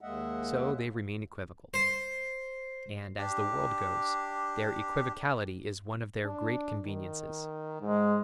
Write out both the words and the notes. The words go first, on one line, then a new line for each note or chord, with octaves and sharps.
So they remain equivocal; and, as the world goes, their equivocality is one of their great conveniences.
D#2 G#3 A#3 D#5 E5 F#5
C5
D4 G4
D4
D#3
G#2 G#3